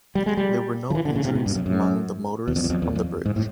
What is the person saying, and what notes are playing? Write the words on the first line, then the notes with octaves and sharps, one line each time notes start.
There were no injuries among the motorists on the bridge.
G3
G#3
G3
F3
E3
D3
C#3
C3
B2
G2
F#2
F#2
E2
F2
E2
F2
E2
F2
G#2
A2